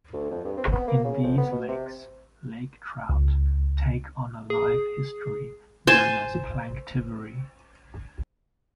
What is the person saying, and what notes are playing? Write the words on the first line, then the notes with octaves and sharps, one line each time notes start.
In these lakes, lake trout take on a life history known as planktivory.
D2
F2
G2
C4
B3
A#3
C#3
F2
B3
B2
C3
C#2
G#4
C5 G#5 A5